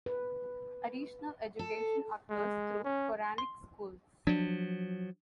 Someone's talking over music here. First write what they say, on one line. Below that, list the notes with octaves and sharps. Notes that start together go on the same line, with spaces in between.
Additional education occurs through Koranic schools.
B4
A4
G#3
C#4
C6
F3 F#3 D4